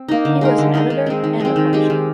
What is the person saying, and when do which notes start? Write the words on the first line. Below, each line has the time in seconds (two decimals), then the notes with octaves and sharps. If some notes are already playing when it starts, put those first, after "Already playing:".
He was an editor and a publisher.
Already playing: C4
0.08 A#3 D#4
0.25 D3
0.41 G#3 D#4 A#4
0.58 D3
0.74 G#3 D#4 A#4
0.90 D#3
1.06 G#3 C4
1.24 D#3
1.40 G#3 C4
1.56 D#3
1.73 G#3 C4 G4
1.90 D#3